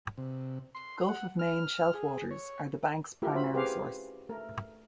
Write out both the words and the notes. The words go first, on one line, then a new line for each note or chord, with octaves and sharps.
Gulf of Maine shelf waters are the Bank's primary source.
C3
C6
F#5
F6
G#4
C#5
A3 E4 F4 G4 A#4
C#4 F#4 C5 E5 B5
G4 G#4 B4 C5 F5
A3 A#4